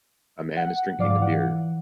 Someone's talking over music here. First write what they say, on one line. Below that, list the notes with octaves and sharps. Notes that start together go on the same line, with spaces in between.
A man is drinking a beer.
F#5
G#2 F3 D5 F5 D6
E3 F#5